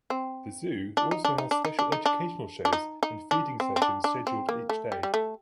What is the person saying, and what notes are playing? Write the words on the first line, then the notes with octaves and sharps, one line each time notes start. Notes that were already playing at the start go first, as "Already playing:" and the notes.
The zoo also has special educational shows and feeding sessions scheduled each day.
C4
D4
D#4
D4
D#4
D4
D#4
D4
D#4
D4
D4
D#4
D#4
D4
C4
C4
D4
D4
C4
A#3
A3
G3
G3
A3